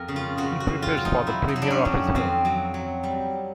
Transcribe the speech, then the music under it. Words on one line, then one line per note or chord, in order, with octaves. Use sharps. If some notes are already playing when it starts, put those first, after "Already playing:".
He prepares for the premiere of his film.
Already playing: F2 A#4
C#3
F4
C#3 F#4
F#4
F2
F4
F#3
D#4
F#3 E4
D#4
F#3
D4
C#4
F2
F2 C4
F#3
F#3
G3